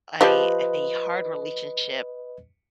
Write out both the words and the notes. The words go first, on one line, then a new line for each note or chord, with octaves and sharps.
I a hard relationship
F3 G4 B4 D#5 A5